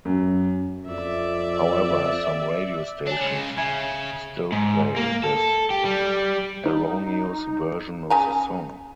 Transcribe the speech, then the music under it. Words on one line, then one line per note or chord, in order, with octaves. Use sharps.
However, some radio stations still play this erroneous version of the song.
F#2
F2 D5 E5
D4 C#5 G#5
C#3 G#3
C#3 E5 G#5 G#6
G#2
A#3
A4
G4
G3
D#4
C#3 G#5 A#5